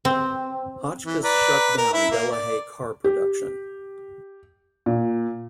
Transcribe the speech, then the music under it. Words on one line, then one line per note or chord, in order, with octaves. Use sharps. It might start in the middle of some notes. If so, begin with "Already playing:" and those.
Hotchkiss shut down Delahaye car production.
C4
E3
B4 D5 A#5
A#4
E4 E5
A#3
D5
G4
A#2